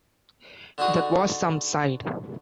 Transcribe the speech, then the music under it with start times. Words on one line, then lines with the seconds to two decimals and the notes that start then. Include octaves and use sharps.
That was some side.
0.78 D3 D4 D#4 F#4 G#4